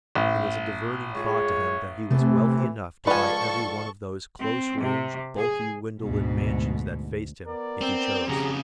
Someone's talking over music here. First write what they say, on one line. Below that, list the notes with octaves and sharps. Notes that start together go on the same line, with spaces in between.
It was a diverting thought to him that he was wealthy enough to buy every one of those close-ranged, bulky, window-lit mansions that faced him, if he chose.
A1
G#3 F4 G#4 C#5
E2 C3 E3 A3
C#2 F3 A4 B4 D5 G#5 C#6
C4
C3
G#4
D2 G#2 B2
B3 A#4 D5
C4
F2 C#3 G4 G#4 A#5